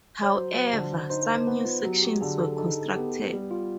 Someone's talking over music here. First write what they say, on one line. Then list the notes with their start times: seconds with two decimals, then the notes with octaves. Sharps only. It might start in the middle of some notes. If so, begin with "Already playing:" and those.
However, some new sections were constructed.
0.23 C#5
0.35 F#3 C5
0.73 D3
1.10 D#4 C5
1.29 C5
1.47 B3 B4
1.65 F4
1.84 F#3 G4
2.03 G4
2.21 D3 G#4
2.40 A4
2.58 D#4 A4
2.96 B3 G4
3.33 G3
3.51 F4